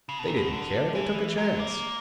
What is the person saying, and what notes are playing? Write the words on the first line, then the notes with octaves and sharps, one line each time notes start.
They didn't care! They took a chance.
C#3
B2
A#2
B2
D3
E3
F#3
A#3